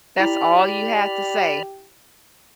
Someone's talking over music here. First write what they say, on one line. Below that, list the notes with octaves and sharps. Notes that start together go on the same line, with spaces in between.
That's all you have to say.
E4 G4 D5 A#5 B5 F6